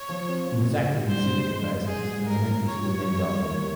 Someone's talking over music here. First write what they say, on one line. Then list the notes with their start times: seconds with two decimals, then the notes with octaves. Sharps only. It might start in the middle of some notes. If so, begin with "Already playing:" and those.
He was active in civic affairs and had an elementary school named after him.
Already playing: C#5
0.09 F3
0.29 C4
0.48 C4
0.69 E3
0.88 G4
1.08 G2 C5
1.27 G2
1.47 G#3
1.67 G#3
1.87 E3 G#4
2.07 G3
2.26 A#3 A#4
2.46 E3
2.66 F4 C#5
2.86 G3
3.06 E3
3.25 G3
3.45 A#3